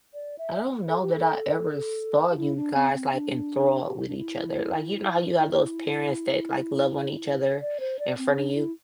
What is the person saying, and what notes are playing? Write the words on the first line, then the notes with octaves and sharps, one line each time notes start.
"I don't know that I ever saw you guys, like, enthralled with each other." Like, you know how you have those parents that, like, love on each other in front of you.
D5
E5
A4
G4
A4
G4
E4
D4
C4
C4
D4
G4
E4
D4
E4
E4
D5
C5
D5
C4
D4
E4